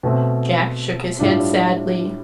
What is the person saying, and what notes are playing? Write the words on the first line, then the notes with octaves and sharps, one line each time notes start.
Jack shook his head sadly.
B2 A3 C4
A2 G3 D4 F4